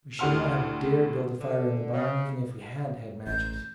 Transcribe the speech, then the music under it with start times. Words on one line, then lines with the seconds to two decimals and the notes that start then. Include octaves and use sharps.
We should not have dared build a fire in the barn, even if we had had matches.
0.19 D2 A2 G4 F#5 C6 F6
1.40 D3
1.93 C#3
3.27 A1 G6